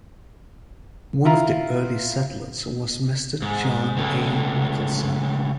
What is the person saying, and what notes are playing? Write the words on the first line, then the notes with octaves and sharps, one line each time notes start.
One of the early settlers was Mr. John A. Nicholson.
E4 F4 A#5
G#2
C#2 A2